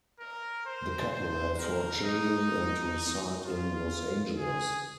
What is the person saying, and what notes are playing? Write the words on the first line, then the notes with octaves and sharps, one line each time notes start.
The couple have four children and reside in Los Angeles.
A#4
C5
C5
A#4
D#4
F4
G#4